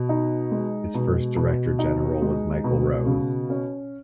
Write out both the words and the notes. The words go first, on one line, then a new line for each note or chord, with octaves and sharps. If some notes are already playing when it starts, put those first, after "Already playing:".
Its first Director General was Michael Rowse.
Already playing: B2
D#4
G#3
B2
B2
D#4
G#3
B2
C#3
C#4